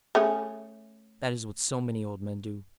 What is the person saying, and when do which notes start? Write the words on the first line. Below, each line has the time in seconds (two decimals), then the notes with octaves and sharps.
That is what so many old men do.
0.15 A3 C#4 G#4